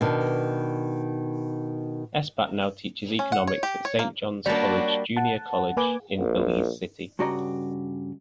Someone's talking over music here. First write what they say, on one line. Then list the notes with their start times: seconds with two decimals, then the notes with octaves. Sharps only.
Espat now teaches economics at Saint John's College Junior College in Belize City.
0.01 B2 D#3 D4
3.19 C#4
3.32 F#5
3.47 C#5
3.63 G4
3.85 C#5
3.99 A#3
4.46 G3 A#3 D4 F#4 C#5 D5 F#5 A5
5.16 F#5 A5
5.77 A#3 B4 G#5 D6
6.19 A#1
7.19 G2 C#3 F#4 D5 D#5 A#5